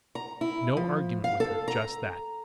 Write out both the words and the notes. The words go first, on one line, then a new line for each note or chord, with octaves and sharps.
No argument with her--just that.
A#5
E4
F3
F5
A4
A#5